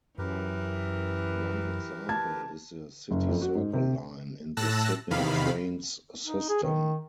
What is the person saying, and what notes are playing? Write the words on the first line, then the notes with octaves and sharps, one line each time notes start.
One example is the City Circle line in the Sydney Trains system.
F#2 E3 G4 A#4 B4
A5 G#6
F#1
F2
F#4
G#2
C3
A2 A5 E6 F#6 A#6
E2 C3 D#3 F5 B5
D#4
G#4
D#3